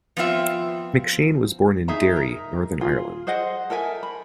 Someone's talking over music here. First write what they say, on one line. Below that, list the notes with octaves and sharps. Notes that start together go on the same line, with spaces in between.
McShane was born in Derry, Northern Ireland.
F3 B3 C4 F4 E5
D#4 G#4 E5 A#5
A#4
F4 G#4
G#4 C5 D#5 F#5
A4 A#4 E5 G#5
B5